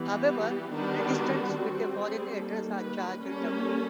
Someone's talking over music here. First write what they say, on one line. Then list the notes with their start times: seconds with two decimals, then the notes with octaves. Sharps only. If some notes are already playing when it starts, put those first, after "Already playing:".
However, registrants with a foreign address are charged double.
Already playing: E3 G3 B3 G4
0.73 D#3 G3 B3 D4
1.14 F#4
1.55 G3 C4 F#4
1.95 G#4
2.37 D#3 G3 A#3 A4
2.78 B4
3.19 G3 A#3 C#4 A4